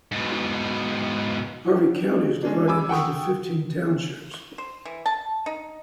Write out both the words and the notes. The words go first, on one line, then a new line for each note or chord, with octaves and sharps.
Harvey County is divided into fifteen townships.
G#2 B2
G#3 C#4 D4
G#5 B5 D6 E6
F#5 G5 C#6 D#6
C5
E3
A5
D#4